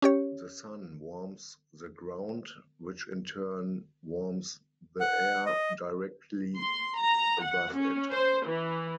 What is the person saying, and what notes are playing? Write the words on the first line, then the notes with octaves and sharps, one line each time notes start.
The Sun warms the ground, which in turn warms the air directly above it.
C#4 G4 C#5
F#5
D#5
C6
A#5
F#5
C#4
C5
E3